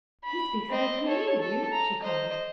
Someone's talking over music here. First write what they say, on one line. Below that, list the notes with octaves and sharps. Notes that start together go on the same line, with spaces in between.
"He speaks as if he knew you!" she cried.
B5
C4 D#5
A4 C#5
A4
A#5
C5 D#5